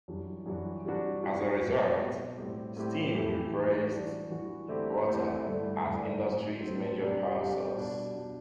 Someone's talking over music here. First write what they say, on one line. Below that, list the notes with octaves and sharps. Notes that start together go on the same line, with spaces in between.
As a result, steam replaced water as industry's major power source.
F#2 E3 G3 D4 F#4
F#2 E3 G3 D4 F#4
C3 G3 D4 F#4
C3 G3 D4 F#4
B2 F#3 C4 G4
B2 F#3 C4 G4
A2 G3 C4 E4 G4
A2 G3 C4 E4 G4
E3 A3 E4 G4
E3 A3 E4 G4
E3 G3 D4 F#4
E3 G3 D4 F#4
D3 A3 C4 E4 G4
D3 A3 C4 E4 G4
G2 D3 A3 E4
G2 D3 A3 E4
A2 F#3 C4
A2 F#3 C4
C3 G3 D4 G4
C3 G3 D4 G4
B2 G3 D4
B2 G3 D4